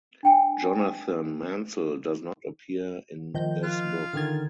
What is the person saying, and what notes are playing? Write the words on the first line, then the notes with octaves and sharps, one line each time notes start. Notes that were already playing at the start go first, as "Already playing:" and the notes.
Jonathan Mansel does not appear in this book.
D4 G5 G#5
D#3 F3 D#5 G6
F4 F#6
D3 D#3 F6 G#6 A6